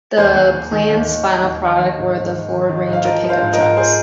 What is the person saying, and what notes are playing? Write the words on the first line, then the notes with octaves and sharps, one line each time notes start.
The plant's final products were the Ford Ranger pickup truck.
D#2 G#4 C5
D#2
D#2
D#3
D#2
D#3
D#2
D#2
D#3
D#3
G#2
G#2
D#3
D#3
D#3
G#2
F5
F3 A#4 D#5
F3
C5 F5
G#2
A#4 D#5
G#2
G#4 C5